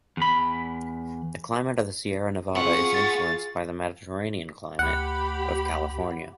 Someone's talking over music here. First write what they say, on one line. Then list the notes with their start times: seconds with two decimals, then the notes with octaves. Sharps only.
The climate of the Sierra Nevada is influenced by the Mediterranean climate of California.
0.17 E2 B5
2.55 B3 C4 F4 G#4 F#5 C#6
2.94 A6
4.79 D2 G4 F#5 B5